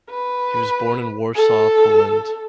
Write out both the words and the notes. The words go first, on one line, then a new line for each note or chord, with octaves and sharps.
He was born in Warsaw, Poland.
B4
A4